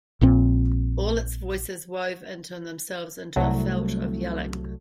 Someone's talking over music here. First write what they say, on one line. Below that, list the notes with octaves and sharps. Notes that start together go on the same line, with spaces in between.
All its voices wove into themselves into a felt of yelling.
A#1 A#2 C4
C2 F#3 A3